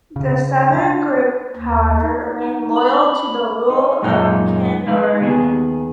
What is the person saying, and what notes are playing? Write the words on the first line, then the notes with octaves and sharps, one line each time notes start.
The southern group, however, remained loyal to the rule of Cannanore.
C#3
D4
D#2
D#4
B5
D#4
F#2 A#2 G#3 A#3 C#4 D#4
G#3 D#4 B4 F5
D#2 D#3 B3 G#4